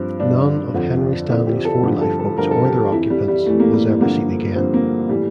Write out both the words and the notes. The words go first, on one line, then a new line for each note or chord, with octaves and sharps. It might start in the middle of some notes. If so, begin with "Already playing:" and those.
None of "Henry Stanley"s four lifeboats or their occupants was ever seen again.
Already playing: G2 F3 C4
G2 F3 D4
F2 D3 F3
F2 D3 F3 E4
G4
A4
G2 D3 F3 G4
A4
A4
G2 D3 F3 A#4
A4
G4
F2 E3 E4
G3
G3
F2 E3 A3
A#3
G3
G2 D3 F3 A#3
G2 D3 F3 C4
A#3
A2 E3 G3